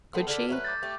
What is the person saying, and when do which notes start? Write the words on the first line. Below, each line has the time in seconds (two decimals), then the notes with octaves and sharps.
Could she?
0.14 A3 B3 C4
0.28 D3 D4 A4 F6 B6
0.49 F#3 A3 B4
0.65 D6 G6 A6
0.83 A3 G4